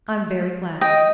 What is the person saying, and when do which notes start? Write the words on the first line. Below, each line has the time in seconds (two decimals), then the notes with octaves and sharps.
"I'm very glad."
0.81 D#5 G5